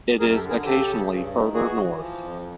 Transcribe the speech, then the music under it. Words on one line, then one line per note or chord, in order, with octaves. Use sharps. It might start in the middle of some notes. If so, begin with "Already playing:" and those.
It is occasionally farther north.
F#2 G#4 A#4
G4 A4
D3
G#4 A#4
C#3 G4 A4
C#3
G2
D#3
E3 F#4 G#4
E3
F3
F2